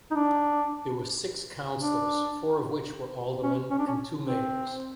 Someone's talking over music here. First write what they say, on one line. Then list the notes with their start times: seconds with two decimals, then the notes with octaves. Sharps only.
There were six councilors, four of which were aldermen and two mayors.
0.11 D#4
0.15 D4
1.79 D4
3.43 C#4
3.70 C#4
3.79 D4
3.87 C#4
4.24 C4